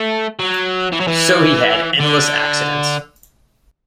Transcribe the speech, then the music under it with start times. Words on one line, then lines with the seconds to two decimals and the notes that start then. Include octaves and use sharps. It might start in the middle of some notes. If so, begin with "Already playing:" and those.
So he had endless accidents.
Already playing: A3
0.40 F#3
0.92 E3
1.00 F#3
1.07 E3
2.00 D3